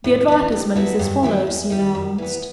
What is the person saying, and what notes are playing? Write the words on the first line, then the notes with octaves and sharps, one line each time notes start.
"The advertisement is as follows," he announced.
A2
E3 B3
G2
F#3 B3 E4 A4
G2
F#3 A3 E4
E2
D#3 G3
F#2
E3 B3